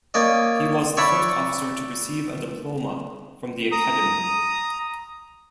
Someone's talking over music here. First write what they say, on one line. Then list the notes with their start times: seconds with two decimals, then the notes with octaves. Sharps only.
He was the first officer to receive a diploma from the Academy.
0.14 A#3 C#4 D5 D#5
0.97 C#5 D5 E5 F#5 A5 B5
3.72 A#5 D#6